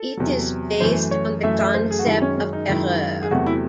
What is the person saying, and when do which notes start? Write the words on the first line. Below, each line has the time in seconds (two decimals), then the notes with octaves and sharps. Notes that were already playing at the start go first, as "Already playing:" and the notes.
It is based on the concept of "terroir".
Already playing: A4
0.17 E2 C3 F#3
0.80 F#2 E3 A3 C5
1.11 C#5
1.43 F#2 E3 A3 E5
1.59 E5
1.74 C5
1.91 G#4
1.99 F#4
2.06 F#2 D#3 G#3 E4
2.22 C#4
2.37 C#4
2.53 D#4
2.69 F#2 D#3 G#3 E4
3.23 G#4
3.31 E2 C3 F#3 A3 F#4
3.46 E4